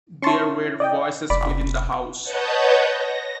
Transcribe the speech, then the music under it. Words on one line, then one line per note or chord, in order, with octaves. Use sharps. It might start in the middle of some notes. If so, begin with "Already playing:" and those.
There were voices within the house.
C#4 E4 A5 C6 C#6
D5 D#5 G5
F1 D5 B5
B4 C#5 D#5 F#5 A5 G6
A#6